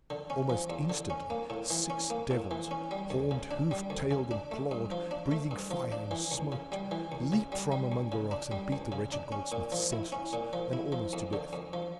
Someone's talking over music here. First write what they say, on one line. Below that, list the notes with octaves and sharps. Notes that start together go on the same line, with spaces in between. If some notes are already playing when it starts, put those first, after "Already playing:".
Almost instantly, six devils, horned, hoofed, tailed, and clawed, breathing fire and smoke, leaped from among the rocks and beat the wretched goldsmith senseless, and almost to death.
D3
C#4
F3
E2
D3
C#4
A#3
A2
E3
C#4
A#3
A2
E3
C#4
G3
D2
C#3
D4
G3
D2
C#3
D4
A3
G2
F3
D4
A3
G2
F3
D4
E3
C#2
C#3
G3
E3
C#2
C#3
G3
G3
C#2
C#3
D4
G3
C#2
C#3
D4
C#4
A#2
F3
E4
C#4
A#2
F3
E4
F3
F2
D3
F2
F3